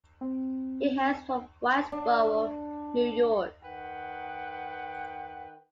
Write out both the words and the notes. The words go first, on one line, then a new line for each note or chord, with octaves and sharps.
He hails from Whitesboro, New York.
C4
D4
D#3 B4 F#5 G5